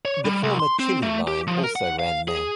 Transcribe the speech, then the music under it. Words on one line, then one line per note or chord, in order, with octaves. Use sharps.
The former Chili Line also ran there.
C#5
G3
C2
C6
C4
A3
G4
F3
A#4
F#5
F5
G#4